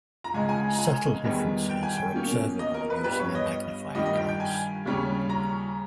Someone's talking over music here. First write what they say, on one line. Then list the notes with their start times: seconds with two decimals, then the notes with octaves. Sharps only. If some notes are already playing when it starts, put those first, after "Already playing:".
Subtle differences are observable using a magnifying glass.
0.24 A#5
0.34 C#2 C#3 G#3 G#5
0.49 G#5
0.70 A#5
0.79 G#5
1.24 E2 D#3 G3 B3
1.69 G5
1.83 G#5
1.97 G5
2.14 B2 A#3 C#4
2.59 D#5
2.74 A#4
2.90 B4
3.04 G2 G3 B3 B4
3.20 C#5
3.35 D#5
3.95 G2 D#3 G3 D#5
4.06 D#5
4.17 G5
4.29 G5
4.40 G#5
4.85 D#2 C#3 G3 C#4
5.29 A#5